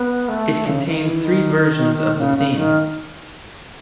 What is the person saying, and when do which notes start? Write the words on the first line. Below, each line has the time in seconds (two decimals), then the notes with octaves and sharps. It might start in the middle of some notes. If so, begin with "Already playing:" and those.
It contains three versions of the theme.
Already playing: B3
0.28 A3
0.66 C#3
0.86 D#3
1.05 E3
1.24 D#3
2.19 C#3
2.38 C#3
2.57 D#3